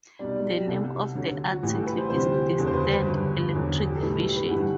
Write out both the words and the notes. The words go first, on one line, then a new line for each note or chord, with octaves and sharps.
The name of the article is "Distant Electric Vision".
B1 B2 G3 D5
D5
G4
C2 B2 G3 A4
D2 D3 F#3
F#4
A1 A2 E3 G3 G4
A4
B4
C5
D2 C3 E3 G3 C5
G4
G4
G4
F#1 E2 D3 F#3
C5
B4
B4
G1 G2 F#3
E1 E2 D3 F#3
G4
A4
B1 A2 G3 B4
A4
G4
B4
G1 G2 E3 G3 F#5